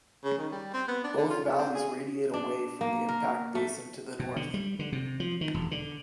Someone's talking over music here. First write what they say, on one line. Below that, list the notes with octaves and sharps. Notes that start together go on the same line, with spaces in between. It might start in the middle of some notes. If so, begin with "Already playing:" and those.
Both valleys radiate away from the impact basin to the north.
C#3
D#3
G3
C4
B3
D4
D3
F4
C#2
C4
G#4
D4
A#3
A#4
A3
B2
D3
G3
D3
C3
F3
D#3
E1
D3